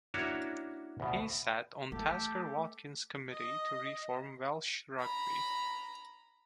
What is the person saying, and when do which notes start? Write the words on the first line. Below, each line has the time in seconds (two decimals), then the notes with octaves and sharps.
He sat on Tasker Watkins committee to reform Welsh rugby.
0.14 A#3 C#4 D4 E4 F#4 C#5
1.00 D2 B2
1.92 A3 G4 A4
3.32 D#5
5.00 A#5 B5